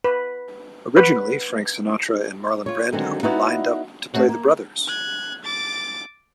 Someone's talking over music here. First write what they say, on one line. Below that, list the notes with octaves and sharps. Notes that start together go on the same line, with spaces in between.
Originally Frank Sinatra and Marlon Brando were lined up to play the brothers.
B4
B4
F4 C#5
D3 D#3 F#3 G#3 C4
B3 D#4 E4 F#4 D5 F5
A3 C4 F#4 C#5
A#3
F#6 G#6
D6 A6